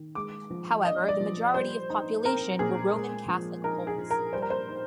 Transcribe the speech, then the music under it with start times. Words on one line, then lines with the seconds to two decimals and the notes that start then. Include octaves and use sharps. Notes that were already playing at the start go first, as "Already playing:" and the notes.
However, the majority of population were Roman Catholic Poles.
Already playing: D#3
0.15 G#3 D6
0.50 F3
0.85 D4 D#5
1.08 D5
1.20 F3
1.54 G3 C5
1.90 D#4
2.25 C4 A#4
2.59 A#2 G#4
2.94 G#3
3.28 F3
3.64 D#4 A#4
3.87 G#4
3.98 F3
4.10 A#4
4.33 G3 C5
4.42 A#4
4.50 C5
4.68 D#4